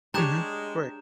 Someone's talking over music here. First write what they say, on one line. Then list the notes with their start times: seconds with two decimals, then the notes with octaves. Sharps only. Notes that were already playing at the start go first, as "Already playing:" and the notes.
Mhm. Right.
0.14 G#3 D4 G4 C#5 A#5 G6 E7